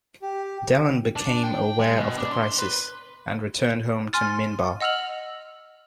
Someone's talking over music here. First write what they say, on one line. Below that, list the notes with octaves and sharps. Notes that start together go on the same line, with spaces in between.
Delenn became aware of the crisis, and returned home to Minbar.
G4
D4
G5
G#3
B2
D4
C6
B4
G#5 C6 F6 A6
D#5 F#5 E6 F6 F7 F#7